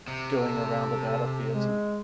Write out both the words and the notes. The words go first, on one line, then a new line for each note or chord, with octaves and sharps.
going around the battlefields, and
C3
A4
G#3